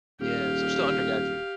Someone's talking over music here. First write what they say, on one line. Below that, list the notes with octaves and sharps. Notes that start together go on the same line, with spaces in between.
Yeah, so I'm still undergraduate.
D#1 G4 F5